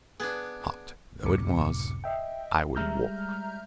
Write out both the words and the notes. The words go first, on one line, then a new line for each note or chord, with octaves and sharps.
Hot though it was, I would walk.
B3 D4 G#4
C#2 F#2 A2 C3 D6 C#7
D#5 E5 G5
G3 G#3 E5 A#5 F6 G6